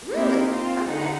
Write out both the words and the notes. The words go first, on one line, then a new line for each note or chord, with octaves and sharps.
Really? Okay.
A#3 C4 D#4 E4 G4
C4 F4 C5
D3 D#4 F#5